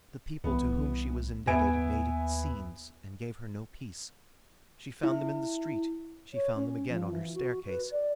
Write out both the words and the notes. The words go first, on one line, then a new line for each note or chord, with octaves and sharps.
The people to whom she was indebted made "scenes" and gave her no peace. She found them in the street, she found them again on her staircase.
C2 E3 B3
D#2 B3 E5 G#5 D7
E4
C#5
C#4
F3
E3
F#4
B4
D5